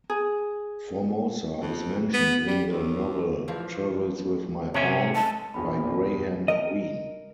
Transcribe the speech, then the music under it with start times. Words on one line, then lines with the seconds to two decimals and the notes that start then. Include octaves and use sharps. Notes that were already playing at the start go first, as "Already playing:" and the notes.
Formosa is mentioned in the novel "Travels with My Aunt", by Graham Greene.
0.10 G#4
1.62 F2
2.14 B3
2.47 G3
2.70 D#2
3.48 A#2 E3 F3
4.74 C3 C#4 C#5 E5
5.15 G#3 A3 A5
5.54 E1 A#1 E2 A#2 D4 B5
6.48 A#4 D#5